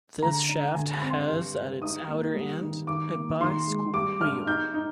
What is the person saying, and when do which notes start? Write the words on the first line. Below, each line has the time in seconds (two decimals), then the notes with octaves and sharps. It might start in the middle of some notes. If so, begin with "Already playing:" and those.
This shaft has at its outer end a by scoopwheel.
0.22 D3 A#5
0.49 D4
0.75 D3 G#5
0.94 G#5
1.02 C4
1.10 C6
1.28 G2
1.55 G2
1.81 D#4 D#6
2.09 A#3
2.34 G3
2.61 D#3
2.87 D#3 D6
3.15 A#3
3.40 D#3 C6
3.67 G#3
3.93 G3 D6
4.21 D4 F6
4.47 D#4 G6
4.74 D#4